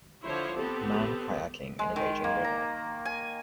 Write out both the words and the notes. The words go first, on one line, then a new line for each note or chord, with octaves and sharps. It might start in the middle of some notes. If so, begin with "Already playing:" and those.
Man kayaking in a raging river.
D3 F3 E4 C5 C#5
B3 C4 G4 A4
G#3
D#3
A#3
A#5
G#5